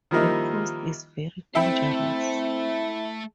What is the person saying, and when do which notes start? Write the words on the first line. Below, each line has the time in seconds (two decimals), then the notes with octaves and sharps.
The coast is very dangerous.
0.11 D#3 F3 G3 A#3 D#4 E4
1.55 A3 C4 E4 A4 E5 G5 B5